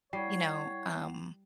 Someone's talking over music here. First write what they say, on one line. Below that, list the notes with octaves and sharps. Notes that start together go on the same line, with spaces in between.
you know, um
G3 E4 C#5 F#5 G5 C7